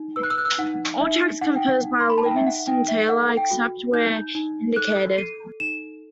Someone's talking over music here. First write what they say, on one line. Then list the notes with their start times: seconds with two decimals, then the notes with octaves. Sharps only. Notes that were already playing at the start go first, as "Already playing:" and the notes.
All tracks composed by Livingston Taylor, except where indicated.
Already playing: D#4
0.16 B4 E6
0.23 F#6
0.30 E6
0.38 F#6
0.45 E6
0.58 D#4 F#5
1.00 D#4 E5
1.42 D#4 F#5
1.56 G5
1.69 F#5
1.84 D#4
2.00 C6
2.10 B5
2.18 A5
2.26 D#4 G5
2.36 E5
2.47 F#5
2.67 D#4 G5
2.88 E5
3.09 A4 F#5
3.37 G5
3.51 F#4
3.93 D#4 G6
4.35 D#4
4.76 A4 F#6
5.12 C7
5.18 A4 D#7
5.60 D#4 E7